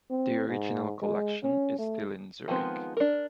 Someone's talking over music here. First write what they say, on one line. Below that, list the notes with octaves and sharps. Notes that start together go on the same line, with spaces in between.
The original collection is still in Zurich.
C4
G#2
G#3
C#4
A3
D#3 F3 G#3 B3 C4
D4 A#4